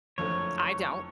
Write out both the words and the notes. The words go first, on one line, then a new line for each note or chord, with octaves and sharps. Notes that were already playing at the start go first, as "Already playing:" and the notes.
I don't.
F#1 F2 D3 F3 A3 C#5